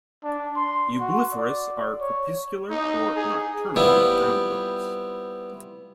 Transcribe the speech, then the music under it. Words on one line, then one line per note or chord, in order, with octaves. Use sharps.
"Eublepharis" are crepuscular or nocturnal ground-dwellers.
D4
C6
F#4
D5
C#5
D#4
G#4
G3 B3 C4 E4 F4